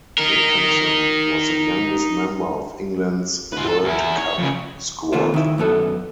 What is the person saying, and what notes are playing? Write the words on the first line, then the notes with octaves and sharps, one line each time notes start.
Wilkinson was the youngest member of England's World Cup squad.
D#4 A#4
F4 B4
A4
E2 E4
C#5
F2 C#3
D#2 C3 A3 F4 C5
D#3 E4
F#2 B3 A4